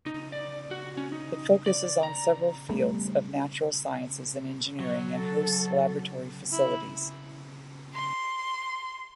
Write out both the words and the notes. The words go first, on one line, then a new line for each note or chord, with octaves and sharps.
It focuses on several fields of natural sciences and engineering and hosts laboratory facilities.
D#4
D5
F#4
C#4
D#4
D5
A#5
G3 A3 B3 D4
F#3
A4
E4
C6